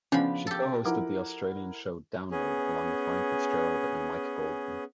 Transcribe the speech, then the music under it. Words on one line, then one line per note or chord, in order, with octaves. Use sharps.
She co-hosted the Australian show "Download" along with Ryan Fitzgerald and Mike Goldman.
C#3 F3 B3 C#4 D4 B5
G4 A4
F3 E4 A#4 F#5 D6
B3 C#4 G#4